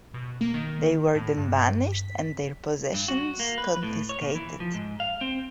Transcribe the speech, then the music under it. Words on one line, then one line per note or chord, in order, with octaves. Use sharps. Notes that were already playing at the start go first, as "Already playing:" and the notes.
They were then banished and their possessions confiscated.
B2
A#3
D#3
A2
G2
B6
G2
F#4
A#3
B4
A2
C#5
A#2
E3
F3
G#2
F5
C4